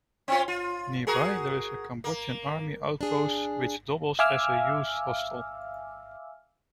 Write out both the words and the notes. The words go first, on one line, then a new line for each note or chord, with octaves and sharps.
Nearby there is a Cambodian army outpost which doubles as a youth hostel.
C4 C#4 F4
F4
F#4 G#4 A#4
A#3
D4 G#4
E5 F5 G#5 D6 E6 F6